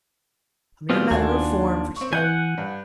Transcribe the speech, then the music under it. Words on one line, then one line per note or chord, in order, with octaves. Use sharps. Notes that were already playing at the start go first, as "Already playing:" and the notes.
A mere matter of form for to-day.
B2 E3 G3 B3 C4 F4
D#2 D4 F4 F#4 G#5
C4 C#6
E3 F#5 G#5 F#6 G6
G2